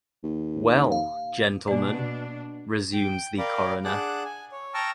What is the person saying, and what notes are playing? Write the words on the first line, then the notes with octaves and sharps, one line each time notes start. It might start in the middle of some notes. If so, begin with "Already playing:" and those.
"Well, gentlemen," resumes the coroner.
D#2
F5
B2 A#3 D4 D5
G5
A#4 D5 F5 G5 B5
D4 G#4 F#5 A5 D6 F#6
G#5
C#5
G5 A5 A#5 C#6 E6 F6